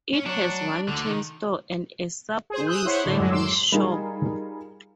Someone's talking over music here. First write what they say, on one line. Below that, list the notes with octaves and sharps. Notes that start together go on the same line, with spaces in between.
It has one chain store and a Subway Sandwich shop.
C#4
F#3 D4 C#5
D2 D3
D#3
G#4 C5
D#6 E6 F#6 G6
E4 C5 C#5 F#5
A2 D3 D4
F#2 A2 F#3 G#3
C6 D6 E6
G3 D#4 F4 G#4 A#4